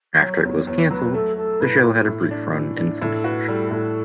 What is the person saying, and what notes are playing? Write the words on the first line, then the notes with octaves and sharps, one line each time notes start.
After it was canceled, the show had a brief run in syndication.
F#3 C#5
E2 C#5
E2 C#5
F#3 B4
A3 A4
A3 A4
A2 B4
A3
A2
D4
E3
D4
A2 A4
F#4 B4
G3 A4
A2 A4